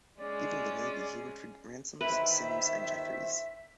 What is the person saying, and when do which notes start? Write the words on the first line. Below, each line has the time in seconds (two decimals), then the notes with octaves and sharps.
Leaving the navy he worked for Ransomes, Sims and Jeffries.
0.19 G#3 C#4 G#4 D5
2.01 G1 D#3 E4 B4 C5 E5